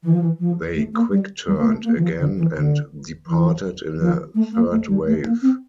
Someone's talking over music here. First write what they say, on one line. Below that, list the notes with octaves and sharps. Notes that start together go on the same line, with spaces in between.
They "quick-turned" again and departed in a third wave.
E3
F3
E3
F3
A3
A#3
G3
G3
A#3
A3
A#3
E3
F3
D3
E3
D3
E3
F3
A3
A#3
A3
G3
A3
A#3
C4